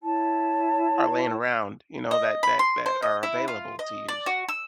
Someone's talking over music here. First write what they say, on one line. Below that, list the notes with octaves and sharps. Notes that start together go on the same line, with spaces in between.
are laying around, you know, that that that are available to use.
E4 C#5 A5
D#5
B5
C6
C5
D#5
E4
F4
D#5
D5
F#4
E6